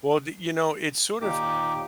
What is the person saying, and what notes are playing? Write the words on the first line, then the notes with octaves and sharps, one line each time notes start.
Well, d it's sort of
D#2 A#2 D#4 G4 D6